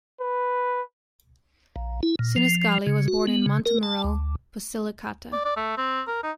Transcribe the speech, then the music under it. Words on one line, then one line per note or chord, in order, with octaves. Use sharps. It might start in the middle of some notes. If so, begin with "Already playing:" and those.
Sinisgalli was born in Montemurro, Basilicata.
B4
A#1
E4
A#2
F3
C#3
F#4
B3
C#3
A#4
A5
D2
D5
D5
A3
C4
A#4
D#4